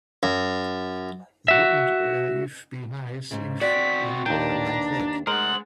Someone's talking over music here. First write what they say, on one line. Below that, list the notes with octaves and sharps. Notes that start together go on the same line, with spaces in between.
Wouldn't it be nice if we were like that?
F#2
F#4 E5
G#2 C#3
C4 F#4 D5 B6
D#2 D4 B4 G5 A#5
G#3 A#4 C5 D#5 F#5 F#7